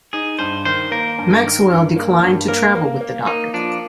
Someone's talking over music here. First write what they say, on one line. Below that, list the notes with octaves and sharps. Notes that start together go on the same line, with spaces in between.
Maxwell declined to travel with the Doctor.
D#4 G#4
G2 C5
D#3 C5
A#3 A#4
G2
D#3
G2
A#3
G2
A#3 A#4
A#3
A#3
A#3 D#4
F3 D4